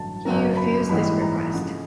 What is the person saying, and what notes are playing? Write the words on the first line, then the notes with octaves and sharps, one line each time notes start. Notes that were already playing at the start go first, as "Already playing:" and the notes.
He refused this request.
Already playing: A1 G2 D3 F#3 A5
G#1 F#2 C#3 F#3 A#3 A#5
B5
A#1 G#2 E3 G3 B5
A#5
F2 C#3 F3 F#5